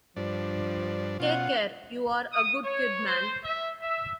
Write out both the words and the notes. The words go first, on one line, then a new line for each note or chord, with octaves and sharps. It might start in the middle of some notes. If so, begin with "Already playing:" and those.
Take care, you're a good kid, man.
G2 F3 D4
B2 C#4 F4 F#5
D#6
C#5
C5
E5
E5